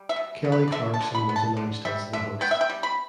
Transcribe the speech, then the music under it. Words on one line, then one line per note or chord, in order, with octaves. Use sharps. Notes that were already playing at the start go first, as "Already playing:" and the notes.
Kelly Clarkson was announced as the host.
Already playing: G3
E5
B2
B2
B4
D5
D3 E5
A5
D3
B5
B3
A5
D3
G3 E5
D3 E5
B3 G5
E5
G5
G3
B5